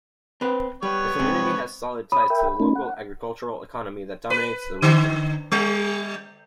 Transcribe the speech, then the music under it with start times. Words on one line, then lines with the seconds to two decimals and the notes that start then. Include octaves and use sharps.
The community has solid ties to the local agricultural economy that dominates the region.
0.41 C4 B4
0.83 G3 B3 B4 C#5
1.19 G#2 C3 C4
2.12 C#5 B5 D#6
2.30 A#4 E5 G5
2.60 A3 C#4 D#4
2.75 F#5
4.30 B4
4.82 D3
5.52 G3